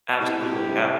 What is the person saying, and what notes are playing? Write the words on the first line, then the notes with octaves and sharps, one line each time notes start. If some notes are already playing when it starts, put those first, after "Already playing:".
Absolutely, yeah.
C3 E4
C3 G4